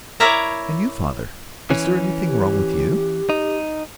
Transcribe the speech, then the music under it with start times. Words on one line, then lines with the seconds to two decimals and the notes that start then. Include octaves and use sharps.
"And you, father--is there anything wrong with you?"
0.20 E4 A#4 C#5 D5 E5 A#5
1.70 E3 C#4
2.27 G4
3.30 D#4